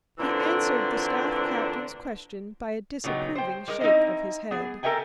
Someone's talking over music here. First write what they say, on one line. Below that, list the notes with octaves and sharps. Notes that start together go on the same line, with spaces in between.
He answered the staff captain's question by a disapproving shake of his head.
A#2 D3 E3 A3 C4 D4
A#2 C#3 F#3 B3 D#4 G4
C5 G5
G3 G#3 A#4
C4 D#4 E4 D#5
B3 G#4
A4 A#4 C#5 E5 G5 G#5